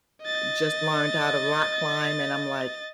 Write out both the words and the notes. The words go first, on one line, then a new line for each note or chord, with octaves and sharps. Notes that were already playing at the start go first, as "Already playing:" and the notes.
just learned how to rock climb and I'm like,
D#5 A6